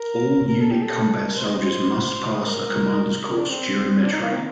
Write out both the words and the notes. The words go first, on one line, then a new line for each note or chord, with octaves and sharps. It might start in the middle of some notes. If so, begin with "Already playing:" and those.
All unit combat soldiers must pass a commander's course during their training.
Already playing: A#4
A#4
A4
G4
A4
A#4
C5
D#5
C5
A#4
A#4
D4
C4
D4
D#4
A#3
C4